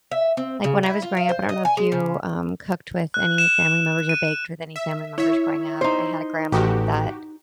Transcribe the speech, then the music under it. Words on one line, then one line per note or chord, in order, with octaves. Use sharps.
like, when I was growing up I don't know if you, um, cooked with any family members, or baked with any family members growing up, I had a grandma that
E5
C4
C#3
E4
F4
F5
C5
D#5
G#5
G#3
C#3
F#6
E7
D#7
E5
E4 C#5 E5
D#4 C5
A1 F#4 G4